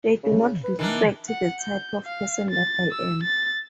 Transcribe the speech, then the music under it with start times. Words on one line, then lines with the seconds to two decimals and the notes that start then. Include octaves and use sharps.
They do not reflect the type of person that I am.
0.24 C#3
0.64 B4
0.79 D#3 E3 D4 A#4
1.29 F#5
1.60 G6
2.06 F5
2.50 A6
2.91 E6
3.23 A6